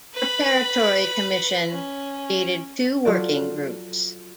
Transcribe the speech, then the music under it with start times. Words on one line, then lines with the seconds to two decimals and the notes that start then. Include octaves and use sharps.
Preparatory Commission created two working groups.
0.14 B4 B5
1.72 C#4
3.05 F#3 F4 F#4 A4 D5